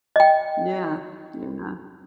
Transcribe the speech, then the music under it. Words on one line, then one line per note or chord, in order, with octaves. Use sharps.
Yeah, yeah.
D#5 G5